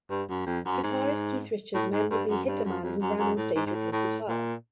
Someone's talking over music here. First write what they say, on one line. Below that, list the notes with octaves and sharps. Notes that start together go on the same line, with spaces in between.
Guitarist Keith Richards memorably hit a man who ran onstage with his guitar.
G2
F#2
F2
F#2
G#2
A2
G#2
G2
F#2
G2
F#2
F2
F#2
F#2
A2
G#2
G#2
A2
A2
A#2